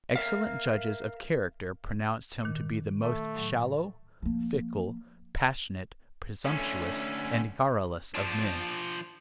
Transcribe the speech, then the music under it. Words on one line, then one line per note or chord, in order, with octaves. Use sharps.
Excellent judges of character pronounced him to be the most shallow, fickle, passionate, presumptuous, and garrulous of men.
A#4 E5 F5
A#2 D#3
A3
A2 F#3
F3 A#3
D3 A3 C#4
F3 D4